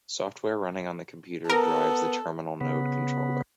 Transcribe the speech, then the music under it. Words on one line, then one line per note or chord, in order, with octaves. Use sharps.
Software running on the computer drives the terminal node controller.
B3 A4 A#4
C#3 B3